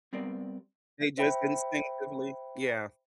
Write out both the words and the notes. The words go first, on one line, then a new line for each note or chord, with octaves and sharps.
They just instinctively yeah,
G3 B3 C4 A#4 D5
C5 E5 G5 B5